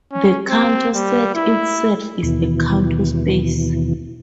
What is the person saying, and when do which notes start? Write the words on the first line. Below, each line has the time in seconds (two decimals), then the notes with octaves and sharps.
The Cantor set itself is a Cantor space.
0.12 C#4
0.48 C4
0.95 G3
1.35 E4
2.23 D#2 B2 E3